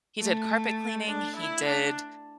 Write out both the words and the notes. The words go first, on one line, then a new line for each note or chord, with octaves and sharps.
he's a carpet cleaning, he did,
A3
D4
E4
D4